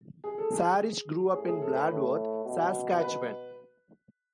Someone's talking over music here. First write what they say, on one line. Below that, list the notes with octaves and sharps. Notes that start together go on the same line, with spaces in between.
Sarich grew up in Bladworth, Saskatchewan.
G#4
A4
G#4
A2 G#4
G#4
A4
B4
A2
B2
B4